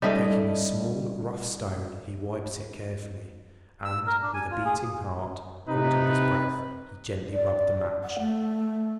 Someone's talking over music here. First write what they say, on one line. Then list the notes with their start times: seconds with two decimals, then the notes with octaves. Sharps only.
Taking a small, rough stone, he wiped it carefully, and with a beating heart, holding his breath, he gently rubbed the match.
0.02 G3 A3 C#4 D#4 A4 D#5
3.85 E6
4.07 A#4
4.22 D4
4.34 G#5
4.51 F4
4.65 G#4
5.68 C3 C4 D#4 B4
7.33 D5
8.03 F#5
8.19 A3